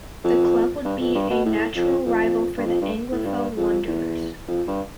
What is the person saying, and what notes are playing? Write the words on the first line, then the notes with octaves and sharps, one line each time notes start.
The club would be a natural rival for the anglophone Wanderers.
F2
G2
F2
G2
B2
A2
F2
F2
G2
F2
G2
A2
G2
F2
E2
F2
G2